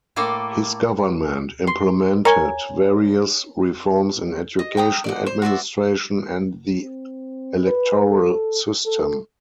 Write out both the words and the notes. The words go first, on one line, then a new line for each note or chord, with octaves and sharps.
His government implemented various reforms in education, administration and the electoral system.
A2 A#3 A4 D5
C6
A#4 C#5 G#5
D#5
G5 A#5 D#6
D5 D#5 F#5
C5
F#4 C5 D5 E5
C4
B4
A4
A4